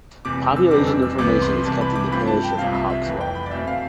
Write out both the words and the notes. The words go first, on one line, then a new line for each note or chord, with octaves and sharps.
Population information is kept in the parish of Hauxwell.
E1 E2 C3 D6
E6
F2 E3 G3 C4 D6
E6
E6
C2 C3 E3 B3 D6
C6
C2 C3 E3 A5
B5
D6
G2 F3 A3 C4 B5
A5
G5
C2 C3 F3 C4 F5
E5
E5
F1 F2 E3
G5
B5
D5
E2 B2 A3 C4 E5
F5